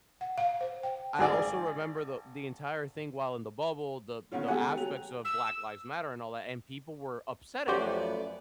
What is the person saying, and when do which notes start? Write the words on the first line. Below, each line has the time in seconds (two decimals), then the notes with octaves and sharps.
I also remember the the entire thing while in the bubble, the the aspects of Black Lives Matter and all that, and people were upset at that,
0.21 F#5
0.38 F5
0.61 C5
0.83 G5
1.19 G#1 G#4 D5
4.32 D3 D#3 B3 C#4 F4
4.48 G#3 B3 G4 A4 F#5 G#5
4.77 F#3 G4 F7
5.25 E6
7.68 F#2 F3 A3 B3 F#4 G4 C5 D5